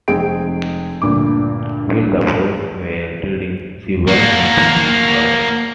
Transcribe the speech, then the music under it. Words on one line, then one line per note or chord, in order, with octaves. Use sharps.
While the boys were reading, she went into the garden.
F1 G#3 C4 G#4 G5 D7
D2 G2 A#2 D6
A#3 F#4